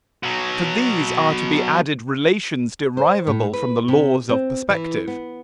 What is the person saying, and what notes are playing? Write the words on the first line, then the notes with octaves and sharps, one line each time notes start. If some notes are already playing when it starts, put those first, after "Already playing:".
To these are to be added relations derivable from the laws of perspective.
B2 F#3
C5
A2
B4
C3
C4
E3
B3